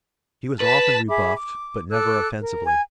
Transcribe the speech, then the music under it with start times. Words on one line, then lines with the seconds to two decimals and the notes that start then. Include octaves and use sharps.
He was often rebuffed but never offensively.
0.60 B4 A5 B6
1.08 G#4 E5 B5 D6
1.36 D6
1.91 A4 D6 E6 F#6
2.41 A#4
2.65 G#5